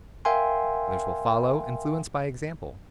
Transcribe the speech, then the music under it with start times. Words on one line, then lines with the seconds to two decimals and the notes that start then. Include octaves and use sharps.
Others will follow, influenced by example.
0.25 A#4 E5 F5 G5 G#5 C6